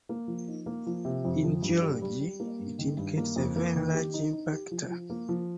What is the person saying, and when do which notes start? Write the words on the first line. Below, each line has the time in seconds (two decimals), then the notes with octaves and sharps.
In geology, it indicates a very large impactor.
0.09 A#3
0.28 F3
0.48 D#4
0.66 A#3
0.86 F3
1.05 C3
1.25 F2
1.44 F3
1.62 G2
1.82 G3
2.02 G3
2.20 G3
2.40 A#3
2.59 G2
2.79 D#3
2.97 G2
3.17 A#3
3.36 F2
3.56 A#3
3.75 D#3
3.94 G4
4.14 D#4
4.33 D#4
4.52 G4
4.71 F3
4.90 F3
5.10 A#3
5.29 F3